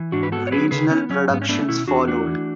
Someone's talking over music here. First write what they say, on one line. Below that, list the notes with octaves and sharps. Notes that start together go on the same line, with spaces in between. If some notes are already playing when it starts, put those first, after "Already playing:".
Regional productions followed.
Already playing: E3
G#2 D4 F#4
B4
B3 F#4 A4
C#5
F#3 G#4 B4
C#3 G#4 B4
B3 C#4
F#3 C#4
G#2 B3
C#4
A3 B3 D4
B2 C#4 E4
E2 D4 F#4
A3 D4 F#4
E3